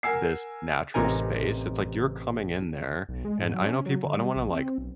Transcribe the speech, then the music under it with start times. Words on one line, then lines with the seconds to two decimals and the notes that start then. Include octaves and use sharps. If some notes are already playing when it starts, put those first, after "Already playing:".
this natural space, it's, like, you're coming in there, and I know people I don't wanna, like,
0.03 A#4 F#5 G#5 E6 C7
0.94 A1 C3 D#4 A#4 G#5
3.09 B1
3.25 G#3
3.39 G#2
3.54 F#3
3.66 C#4
3.86 F#3
4.05 D3
4.17 G3
4.36 A#1
4.51 C4
4.65 C4
4.78 B1